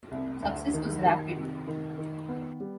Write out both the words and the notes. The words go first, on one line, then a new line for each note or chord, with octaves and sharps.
Success was rapid.
C2
D2
D#3
D#3
C3
D#3
D#3
B3
G3